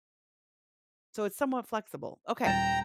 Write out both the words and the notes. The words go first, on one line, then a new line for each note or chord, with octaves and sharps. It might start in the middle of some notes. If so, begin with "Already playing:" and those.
so it's somewhat flexible. Okay.
D#1 G5 A#5 A6 E7